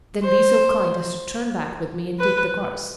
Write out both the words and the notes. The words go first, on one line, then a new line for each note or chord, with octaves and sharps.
"Then be so kind as to turn back with me and take the cars."
C5
B4